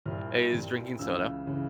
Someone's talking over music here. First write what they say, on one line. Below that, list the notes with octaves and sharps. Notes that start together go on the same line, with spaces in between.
is drinking soda.
C2 A#2 G3 C4 F6
C2 A#2 G3 C4
C#2 C#3 E3 E6
C#3 E3